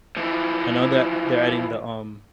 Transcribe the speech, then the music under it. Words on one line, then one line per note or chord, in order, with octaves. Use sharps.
I know that they're adding the, um,
E3 F3